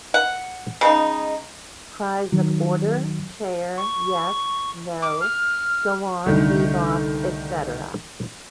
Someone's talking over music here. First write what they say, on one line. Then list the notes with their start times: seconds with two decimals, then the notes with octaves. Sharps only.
Cries of “Order,” “Chair,” “Yes,” “No,” “Go on,” “Leave off,” etc.
0.14 F#5
0.81 C#3 G#3 D#4
2.32 D#3 F#3
3.77 C#6
5.02 D6
5.20 F6
6.26 C2 D3 D#3 A3